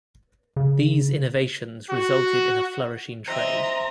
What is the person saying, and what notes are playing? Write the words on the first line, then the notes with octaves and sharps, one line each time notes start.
These innovations resulted in a flourishing trade.
C#3
F#4
C4 D#5 E5 A#5